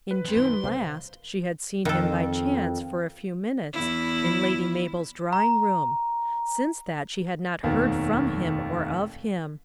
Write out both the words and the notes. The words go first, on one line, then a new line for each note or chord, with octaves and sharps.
In June last she had seen him, by chance, for a few minutes, in Lady Mabel's drawing-room. Since that she had not heard from him or of him.
B4
F2 F3
F#2 D#3 C6
C2 A#4 C5 F5
F2 D#3 A4
E2 E4
A#5
F1 D#2 B2 D#3